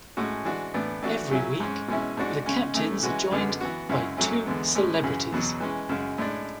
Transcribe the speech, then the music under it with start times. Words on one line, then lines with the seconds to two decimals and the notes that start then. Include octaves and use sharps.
Every week, the captains are joined by two celebrities.
0.17 A2 G#3 C#4 F#4
0.45 E3 G#3 D4 F#4
0.74 A2 E3 B3 D4
1.03 E3 A3 D4 F#4
1.31 C#3 F#3 C#4 E4
1.60 G#2 G#3 C#4
1.88 B2 G#3 C#4 E4
2.17 G#2 G#3 D4 F#4
2.46 C#3 G#3 C#4
2.74 A2 E3 A3 C#4
3.03 E3 G#3 C#4 F#4
3.32 F#2 D3 G#3 B3
3.61 E3 B3 F#4
3.89 F#2 C#3 G#3 C#4 E4
4.17 G#2 F#3 A3 C#4
4.46 E2 D3 G#3 B3
4.75 A2 G#3 C#4
5.04 F#2 C#3 E3
5.32 E2 B2 F#3
5.60 E3 G#3 C#4
5.89 F#2 C#3 G#3
6.18 A2 G#3 D4